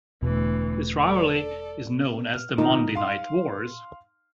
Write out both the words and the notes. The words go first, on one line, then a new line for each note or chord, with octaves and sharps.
This rivalry is known as the Monday Night Wars.
E1 D2 B2 E3
A4 D5
F6
D#3 D#4 F4
F5 C6